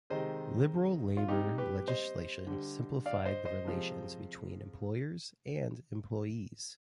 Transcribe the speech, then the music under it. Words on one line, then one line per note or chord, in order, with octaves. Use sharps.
Liberal labour legislation simplified the relations between employers and employees.
C3 D#3 G#3 C5 D#5
F4
C3 G3 D#4 G4
G4 B4
C5 D#5
D3 G3
D5 F5
C5 D#5
C5 D#5
C3 F3 G#3